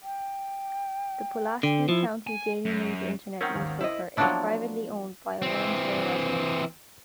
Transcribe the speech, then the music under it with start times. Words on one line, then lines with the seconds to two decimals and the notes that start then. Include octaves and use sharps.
The Pulaski County Daily News internet newspaper is privately owned by a Waynesville resident.
0.03 G5
1.63 D3 G5
1.89 F3 E4
2.27 G#5
2.65 F#2
3.41 D#3 C4 C#4 A#4 F#5 G5 F7
3.55 G#1 D#2
3.81 E4 C5 D#5
4.17 F3 F#3 A#3 B3 D4 E4
5.42 E3 C4